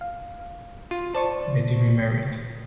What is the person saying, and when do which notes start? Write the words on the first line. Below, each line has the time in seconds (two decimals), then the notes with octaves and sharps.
Betty remarried.
0.01 F5
0.91 F4
1.15 C5 D5 A5 C#6